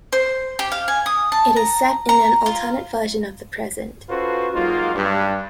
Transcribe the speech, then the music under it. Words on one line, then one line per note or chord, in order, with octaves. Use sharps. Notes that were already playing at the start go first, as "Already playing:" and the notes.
It is set in an alternate version of the present.
C5
G4
F5
G#5
D#6
A5
A#5
A#5
F4
C#4 F4 F#4 A4 B4 C5
F#3 G#3 A#3 D#4 F4
G2